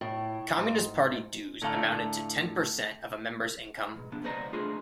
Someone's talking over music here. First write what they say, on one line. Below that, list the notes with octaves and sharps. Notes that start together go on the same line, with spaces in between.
Communist Party dues amounted to ten percent of a member's income.
A2
G#2
A2 D3 A3 F5 A#5
G#2 B2
C3 B3 D4
C#2 B3 C5 D5 D#5 A#5
C2 A3 D4 F4 G#4 C6